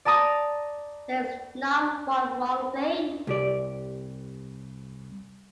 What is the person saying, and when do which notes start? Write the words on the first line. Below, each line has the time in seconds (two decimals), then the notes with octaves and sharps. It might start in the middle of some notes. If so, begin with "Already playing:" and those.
There is not one wrong thing!
0.05 D5 A5 A#5 D#6 A#6
3.27 C2 G4 D5